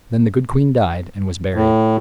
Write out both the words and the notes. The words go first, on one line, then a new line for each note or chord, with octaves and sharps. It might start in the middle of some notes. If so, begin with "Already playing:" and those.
Then the good queen died, and was buried.
A2